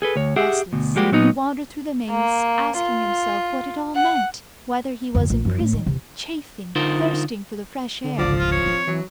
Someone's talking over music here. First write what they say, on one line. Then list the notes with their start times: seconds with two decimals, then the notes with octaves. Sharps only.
Restless, he wandered through the maze, asking himself what it all meant--whether he was in prison; chafing, thirsting for the fresh air.
0.02 G#4 A4 B4
0.16 D2 C#5
0.36 G4 G#4 E5 F#5
0.73 D2 B2
0.96 F3 G3 G#3 A#3 F#4 G4
1.12 A#2 F#3 B3 D#4
2.10 A#3
2.77 F4
3.95 F#5
5.15 G1 F2
5.30 A#1
5.45 F#2 F3
5.59 A2
5.73 D#3
5.86 E1 C3
6.75 D3 D#4 F4 A#4 C5
8.04 D3
8.18 G#1 C#2 F3 D5
8.38 D1 F4
8.52 C#5
8.66 C4 D4
8.87 E3 F#3